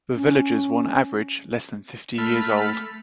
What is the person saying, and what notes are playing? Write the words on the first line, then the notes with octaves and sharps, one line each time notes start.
The villagers were on average less than fifty years old.
C#4
A3 B5 F6